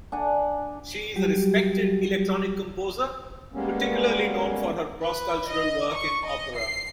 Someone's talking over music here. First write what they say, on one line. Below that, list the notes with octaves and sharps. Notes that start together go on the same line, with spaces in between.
She is a respected electronic composer particularly known for her cross-cultural work in opera.
D4 F#5 G#5
F#3 G3 F#4 G4
G3 G#3 A#3 B3 C#4
B4
D#5
C#6
D#5
C7